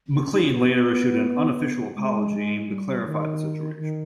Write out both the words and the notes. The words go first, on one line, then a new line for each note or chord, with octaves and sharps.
MacLean later issued an unofficial apology aimed to clarify the situation.
B3
C#4
D#4
C#4
B3
G#3
G3
D#3
D#3